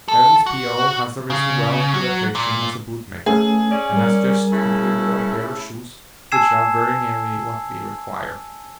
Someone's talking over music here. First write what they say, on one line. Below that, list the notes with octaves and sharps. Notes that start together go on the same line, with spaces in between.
Evans, P.O., has arisen well to the occasion as a boot maker, and has just completed a pair of shoes which are very nearly what we require.
A4
F#4
C#3
F#3
A#2
A3 C#4 G#4 A4
C#4 D5
G3 A#4
C#3 A3 E4
G#5 A5 E6 G#6 C7 E7